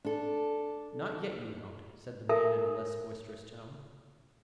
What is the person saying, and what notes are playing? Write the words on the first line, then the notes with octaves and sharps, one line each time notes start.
"Not yet you won't," said the man in a less boisterous tone.
D4 A4
A4 A#4 E5 G#5